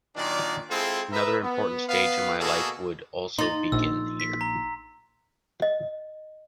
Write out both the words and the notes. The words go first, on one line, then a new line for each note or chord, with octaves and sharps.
Another important stage of my life would also begin here.
A#2 D#3 F#3 D4 F4 D5
G#3 C4 E4 F4 G#4 A4
A#4 B4 D#5 E5
B3
B3 B4 F5
B2 A#3 F#4 G#4 A4
D#4 C6 A6
A#1 E6
B6
A#5
D#5